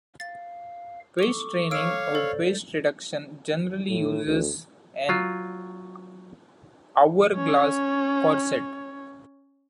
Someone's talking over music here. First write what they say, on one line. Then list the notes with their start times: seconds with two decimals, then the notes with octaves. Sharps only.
Waist training, or waist reduction, generally uses an hourglass corset.
0.20 F5 A6
1.19 A4 C#6 D6 F7 G7
1.71 C#5 F5 E6 D7
2.15 A4 C5 D5
3.89 A2
4.26 D2
5.09 F#3 F4
7.35 C#4 C#5